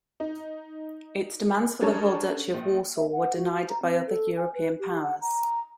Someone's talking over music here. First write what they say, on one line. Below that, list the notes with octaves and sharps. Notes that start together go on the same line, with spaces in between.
Its demands for the whole Duchy of Warsaw were denied by other European powers.
D#4
G3 C#4 D4 A4 A#4 C#5
A#1
E5
F#5
F#4
A#5
C4
A4
G#5
B4
G4
F#5
A#5